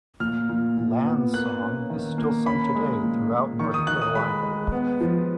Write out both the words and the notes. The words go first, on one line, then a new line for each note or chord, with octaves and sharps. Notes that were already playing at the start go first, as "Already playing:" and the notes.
Land's song is still sung today throughout North Carolina.
A#2 F6
A#2
A#2
B3
A#3 F#6
C#4
D#3
A#3
C#4 B5
G#3
A#2
A#2
D#3 C#6
D#6
D#3 F#6
D#6
G#3 B5
G#3
B3
F3